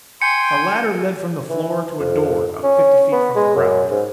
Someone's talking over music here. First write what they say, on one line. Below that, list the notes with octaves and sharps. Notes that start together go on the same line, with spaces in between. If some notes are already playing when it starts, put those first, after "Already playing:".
A ladder led from the floor to a door about fifty feet from the ground.
G5 G#5 C6 C#7
E3
F2
C#4
B3
G#3
F#2
G#2